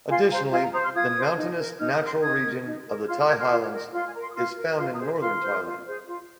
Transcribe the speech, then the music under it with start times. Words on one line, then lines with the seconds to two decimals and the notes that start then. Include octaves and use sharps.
Additionally, the mountainous natural region of the Thai highlands is found in Northern Thailand.
0.09 F4 G#5 C6
0.29 C5 F5 A#5
0.51 F4 D#5 G#5
0.62 F5 A#5
0.73 C5 A#5 D#6
0.83 C6 F6
0.94 F4 D#6 G#6
1.16 C5
1.36 D#4
1.58 A#4
1.79 D#4 F6
1.92 D#6
2.00 A#4 C6 F6
2.22 D#4 D#6 G#6
2.44 A#4
2.65 D#4
2.86 A#4
3.07 F4 C6 F6
3.18 C6 F6
3.29 A#4 D#6 G#6
3.40 C6 F6
3.51 F4
3.72 A#4
3.93 F4 C6 F6
4.06 G#5
4.14 A#4 A#5
4.21 C6
4.28 D#6
4.36 F4 C6 F6
4.57 A#4
4.78 F4 C6 F6
4.92 A#5 D#6
5.00 G#4 C5
5.21 F4 C6 F6
5.42 G#4 C5
5.64 F4
5.86 G#4 C5
6.06 F4